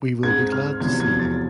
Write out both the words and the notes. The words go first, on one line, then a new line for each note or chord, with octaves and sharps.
We will be glad to see you!
G#2 G#3 C4 G#6
F6
E1 E2 C3 F3 B3 G#6
G#6
A6